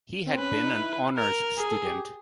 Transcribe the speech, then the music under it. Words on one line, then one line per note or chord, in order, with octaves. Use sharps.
He had been an honors student.
C4
C#4 B4
D4
D#4
E4
A#4
G#4 A#4
A4
G4